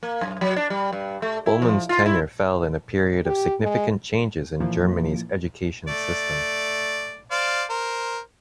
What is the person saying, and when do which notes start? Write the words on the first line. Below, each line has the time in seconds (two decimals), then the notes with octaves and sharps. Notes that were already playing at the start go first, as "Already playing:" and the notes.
Bulmahn's tenure fell in a period of significant changes in Germany's education system.
0.03 A#3
0.21 F#2
0.41 F#3
0.56 D4
0.70 G3
0.93 G2
1.22 A3
1.46 E4
1.62 F3
1.89 F4
2.06 E4
3.26 G4
3.63 G#3
4.60 A#2 E3 F3 A#3
5.88 A3 D5
7.31 C5 D5 F5
7.70 A#4 C5